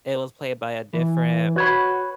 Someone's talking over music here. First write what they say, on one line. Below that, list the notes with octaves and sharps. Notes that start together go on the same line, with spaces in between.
it was played by a different
E3
F#4 B4 C#5 B5